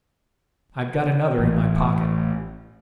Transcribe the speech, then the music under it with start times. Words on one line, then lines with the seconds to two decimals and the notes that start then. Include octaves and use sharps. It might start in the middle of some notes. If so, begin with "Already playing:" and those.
"I've got another in my pocket."
1.38 A1